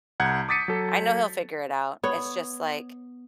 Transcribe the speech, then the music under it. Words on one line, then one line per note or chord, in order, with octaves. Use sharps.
I know he'll figure it out. It's just, like
C2 F#5 A#5 G6 G#6
D6 D#6 A6 B6 C#7 D#7
F#3 A4
B3 C#5